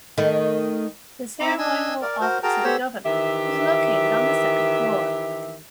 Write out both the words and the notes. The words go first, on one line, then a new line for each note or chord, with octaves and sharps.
The ceremonial office of the governor is located on the second floor.
D#3 A3
C4 D#4 E5 A#5 B5 D6
D4 D#5 G#5 E6
A#4 D5
F#4 A#4 C5
F#4 G#4 A#4 G5 A5 A#5
B3 G4 A4 C5 C#5 E6
D#3 E3 G4 E5